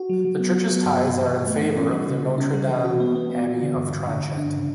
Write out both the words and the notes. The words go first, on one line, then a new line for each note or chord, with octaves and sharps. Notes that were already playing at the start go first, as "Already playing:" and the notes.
The church’s tithes are in favor of the Notre-Dame abbey of Tronchet.
Already playing: F#4
F#3
F#3
B3
B3
B3
G2
E3
G2
G2
A3
E3
C#4
G3
C#3
C#3
C#4
G3
E3
F#4
B3
B3
B3
E3
D3
G2
G2
D3
G2
D4
C#3